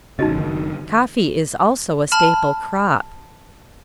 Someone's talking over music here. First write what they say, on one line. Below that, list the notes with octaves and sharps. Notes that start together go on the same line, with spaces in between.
Coffee is also a staple crop.
A1 C#3 D#4 F#4 D#5
F#1 D#3
A5 B5 F6